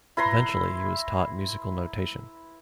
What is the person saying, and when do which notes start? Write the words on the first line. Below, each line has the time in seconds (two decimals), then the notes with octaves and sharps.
Eventually he was taught musical notation.
0.17 E4 B4 A#5 C6